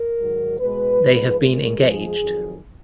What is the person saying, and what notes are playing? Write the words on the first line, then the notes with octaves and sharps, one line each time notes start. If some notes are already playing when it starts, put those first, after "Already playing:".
They have been engaged.
Already playing: A#4
G#2 D#3 F#3
B2 G#3 B4
G#2 F3 G#3
A#2 G#3 A#4
F2 F3 G#3 G#4
F2 D#3 F#3